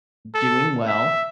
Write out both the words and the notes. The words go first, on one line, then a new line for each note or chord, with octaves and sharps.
doing well,
A4
E5